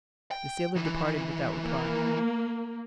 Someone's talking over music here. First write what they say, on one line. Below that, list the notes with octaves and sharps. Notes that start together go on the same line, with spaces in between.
The sailor departed without reply.
G5
D#3 E3
A#3